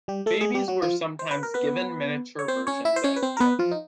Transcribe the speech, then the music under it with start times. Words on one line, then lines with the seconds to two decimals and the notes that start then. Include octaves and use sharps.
Babies were sometimes given miniature versions as gifts.
0.08 G3 G4
0.26 A3 A4
0.41 G#3 G#4
0.54 G3 G4
0.68 F#3 F#4
0.82 F3 F4
1.19 C5
1.31 B4
1.43 A#4
1.54 B3 B4
2.39 C#5
2.48 C4 C5
2.67 C#4 C#5
2.85 E4 E5
2.96 C5
3.04 C#4 C#5
3.16 B4
3.23 C4 C5
3.37 A#4
3.40 B3 B4
3.59 F3 F4
3.71 D#4